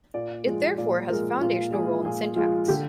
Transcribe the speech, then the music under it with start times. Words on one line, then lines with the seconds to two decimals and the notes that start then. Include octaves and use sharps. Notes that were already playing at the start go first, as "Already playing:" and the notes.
It therefore has a foundational role in syntax.
0.14 A#2 D5
0.46 F3 G#3
0.78 A#2 D5
1.09 F3 G#3 A#4
1.41 A#2 F4
1.73 F3 G#3 G#4
2.05 A#2 G#4
2.36 F3 G#3 F4
2.68 D3 G4